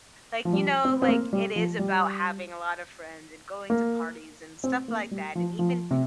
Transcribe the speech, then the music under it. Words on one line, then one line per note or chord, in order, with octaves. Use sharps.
like, you know, like, it is about having a lot of friends, and going to parties, and stuff like that, and even ea
F3
G3
C4
C4
A#3
G3
F3
G3
A#3
C4
A#3
G3
F3
F3
C3